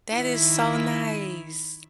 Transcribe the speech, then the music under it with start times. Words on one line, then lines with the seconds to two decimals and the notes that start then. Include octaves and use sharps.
That is so nice.
0.13 D#3 E4